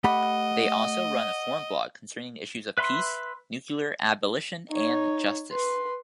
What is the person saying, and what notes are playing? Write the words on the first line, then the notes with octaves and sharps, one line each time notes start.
They also run a forum blog concerning issues of peace, nuclear abolition, and justice.
A3 G4 D#5 F#5 B5
B4 E5 B5 C6
D#4 C#5
B4 C6